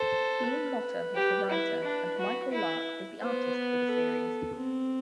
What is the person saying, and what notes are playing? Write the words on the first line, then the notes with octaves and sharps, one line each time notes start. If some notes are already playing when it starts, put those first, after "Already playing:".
Dean Motter was the writer and Michael Lark was the artist for the series.
Already playing: A4 C5
B4
G4
E4
D4
F#4
E4
B3 C5
B4
A4
C4